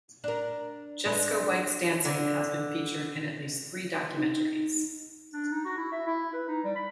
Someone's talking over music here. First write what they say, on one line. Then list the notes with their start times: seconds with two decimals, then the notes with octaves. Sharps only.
Jesco White's dancing has been featured in at least three documentaries.
0.24 D4 A#4
1.06 D4 A4 B4
2.05 D3
4.17 D#4
5.33 D4
5.51 D#4
5.65 F#4
5.78 E4
5.92 E5
6.07 E4
6.33 B4
6.49 D#4
6.64 G3
6.76 B5